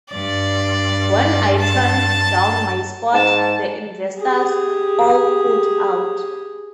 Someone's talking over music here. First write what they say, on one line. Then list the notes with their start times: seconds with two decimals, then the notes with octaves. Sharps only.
When I turned down my spot, the investors all pulled out.
0.13 G2 D5
1.59 A5
3.13 G#2 A5
4.17 G4 G#4